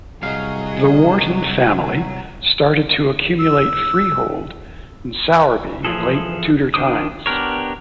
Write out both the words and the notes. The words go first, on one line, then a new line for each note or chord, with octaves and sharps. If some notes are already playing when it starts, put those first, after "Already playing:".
The Wharton family started to accumulate freehold in Sowerby in late Tudor times.
C2 F#3 G#4 D#5 F5
E6
E3 F3 G#4 A4
D#3 D4 C5 D6 D#6
B3 D4 G4 A#4 C#5